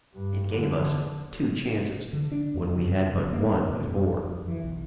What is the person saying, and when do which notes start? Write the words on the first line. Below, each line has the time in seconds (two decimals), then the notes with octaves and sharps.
It gave us two chances, when we had but one before.
0.14 G2
0.51 D3
2.13 D3
2.32 D4
2.54 E2
2.75 C#3
3.33 A#3
3.69 B2
3.87 F#2
4.24 F2
4.48 E3
4.64 B1